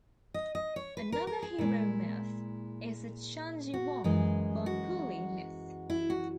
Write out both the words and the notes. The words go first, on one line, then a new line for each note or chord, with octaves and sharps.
Another hero myth is the "Cheonjiwang Bonpuli" myth.
D#5
D#5
C#5
B4
A#4
A#4
G#4
A#2 G#3 E4
F#4
F#2 E3 G#3 G#4
F#4
E4
F#4